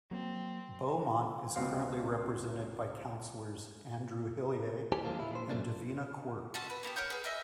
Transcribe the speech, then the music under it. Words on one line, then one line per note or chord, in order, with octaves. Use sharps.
Beaumont is currently represented by councilors Andrew Hillier and Davina Quirke.
F#3 A#3 C4
C#2 B2 C4 F#4 F5
D#2 E4 G4 C5 G#5 A5
F2 D3 E3 G#3 A#3 F4
A#2 E4
A#2 G#4 C5
F#2 C#3 F#3 A3 A#3 D4
C4 C#4 F#4 A5
B4
A#3 B3 F4 G4
A#4 C#5 F#5 G6
G#4 B4
A#4 D#5 E5 G#5